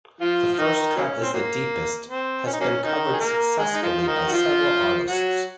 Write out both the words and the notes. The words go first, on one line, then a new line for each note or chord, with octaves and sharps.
"The First Cut Is the Deepest" has been covered successfully by several artists.
F3 F4
F4
D#3 D#4
F#3 A#3 C#4
C4
D#3 F#3 A#3
C4
C#4
D#4
F#3 A#3 C#4
D#3 D#4
G#4
A#3 A#4
G#3 G#4
D#4
F3 F4
F4
D#3 D#4
F#4
F3 F4
F#3 F#4